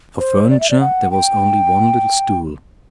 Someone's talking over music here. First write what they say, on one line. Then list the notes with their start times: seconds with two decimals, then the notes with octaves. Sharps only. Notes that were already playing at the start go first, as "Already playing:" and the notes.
For furniture there was only one little stool.
0.19 C5
0.50 D5
0.60 E5
0.70 D5
0.81 F#5
1.11 G5